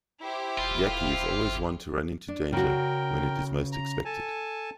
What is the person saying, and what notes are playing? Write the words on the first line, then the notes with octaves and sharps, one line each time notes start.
Yakky is always one to run into danger when it is most expected.
E4 G4 C5
E1 F4
G#1
D4
C#3 F#4 A#4 G5
A#5
A4 G#5 A5